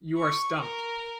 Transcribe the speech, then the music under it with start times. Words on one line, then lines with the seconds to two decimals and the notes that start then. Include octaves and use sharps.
You are stumped.
0.17 C#6
0.60 A#4